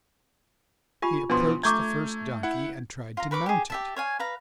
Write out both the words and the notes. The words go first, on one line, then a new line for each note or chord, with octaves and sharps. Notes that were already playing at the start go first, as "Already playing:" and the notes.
He approached the first donkey and tried to mount it.
F4 G4 G#5 B5
B2 F3 B3 D4 C6
A3 A#5 C#6 D6 G6 G#6
E4 F#5
F4 A#5
A#4 B4 C#6 D6
G4 G#4
G4 E5 A5
C#5 F5 G#5
B4 F5 A#5